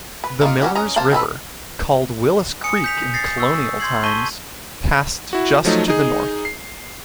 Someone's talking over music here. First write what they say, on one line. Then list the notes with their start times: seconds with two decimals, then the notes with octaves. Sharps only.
The Miller's River, called Willis Creek in colonial times, passed just to the north.
0.24 B4
0.41 A#3 D#4 F4
0.62 F#3 C#4 F#4 G4
0.75 C#4 D#5 A#5
0.96 A#3 C5 F5 A5
1.12 D#3 C4 A4 B4
2.64 G#5 D#6 C#7
2.84 G6 B6 F7
3.14 A6 A#6 C7
3.38 C#6 E6
3.80 C6 G6 G#6 C7 F#7
4.03 A5 C#6 G6 B6 D#7 G7
5.33 E4 F#4
5.65 F3 F#3 A3 D#4
5.88 D#4 G#4
6.45 C7